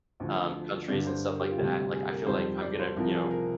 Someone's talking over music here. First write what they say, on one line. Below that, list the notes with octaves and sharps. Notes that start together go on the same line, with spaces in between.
um, countries, and stuff like that, like, I feel like I'm gonna, you know,
D2 D3 F3
G2 D3 G3 D5
C5
A#4
G4
F4
D2 C3 G3 G4
G#4
A#4
F2 D#3 G3 C5
D5
C5
C2 C3 F3 A#4
G#4
A#4